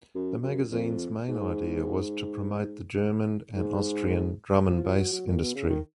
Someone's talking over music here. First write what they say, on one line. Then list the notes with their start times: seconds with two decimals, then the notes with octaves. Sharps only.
The magazine's main idea was to promote the German and Austrian drum-and-bass industry.
0.15 F#2
0.43 F#2
0.72 F2
1.28 G#2
3.55 G#2
4.69 F3
4.84 F3
4.98 F#3
5.12 F#3
5.27 A#2
5.41 B2
5.55 C#3
5.69 D#3